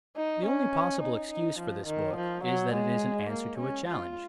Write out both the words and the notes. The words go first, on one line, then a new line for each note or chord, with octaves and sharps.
THE only possible excuse for this book is that it is an answer to a challenge.
D#4
C#4
D#4
D#4
F3
D#3
F3
F#3
G#3
A#3
C#4
F4